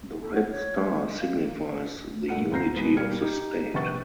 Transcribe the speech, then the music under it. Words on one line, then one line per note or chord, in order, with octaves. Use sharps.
The red star signifies the unity of the state.
A4
F#5
C#5
G#3
F5
A#3
G2 A#2 A3 F#5 C#7 D#7
D2 C4 A#5 G6 A#6 C7
B2 D#3 E3 G#3 B3
B2 G3 A#3 F6 G#6 C#7
D#4 G4
A#1 C3 B4 F#5 C#6 A6